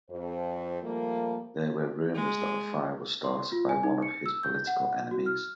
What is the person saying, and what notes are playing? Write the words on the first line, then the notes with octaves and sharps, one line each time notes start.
There were rumors that the fire was started by one of his political enemies.
F2 C5
F3 G3 A3 A#3
G#3
C6
F4
G#5
D#4
C#7
E6
G6
F#5
F#4
F6